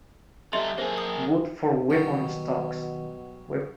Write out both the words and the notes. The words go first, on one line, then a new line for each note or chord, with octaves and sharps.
Wood for weapon stocks.
G3 A4 D#5 E5 C6
A#3 G#4 C5
D#6
B2 D#3 F#3 G3